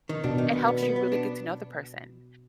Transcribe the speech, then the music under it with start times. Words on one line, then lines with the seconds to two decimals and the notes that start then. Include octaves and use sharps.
it helps you really get to know the person.
0.09 D#3
0.24 B2 D4
0.38 D#3
0.53 B3
0.68 B3
0.83 B3
0.96 B3
1.12 D4